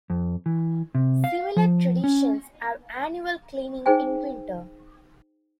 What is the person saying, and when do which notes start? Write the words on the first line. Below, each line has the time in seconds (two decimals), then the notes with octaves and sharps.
Similar traditions have annual cleaning in winter.
0.10 F2
0.46 E3
0.95 C3
1.24 F5
1.56 F3
2.04 C#4
3.86 D#4 G#4 C5 G5 G#5